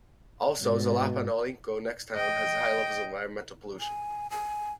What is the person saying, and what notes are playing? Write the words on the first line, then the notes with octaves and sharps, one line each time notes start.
Also, Xalapa Naolinco next town, has high levels of environmental pollution.
G#2 B2
D#5 G5
G#5
G#5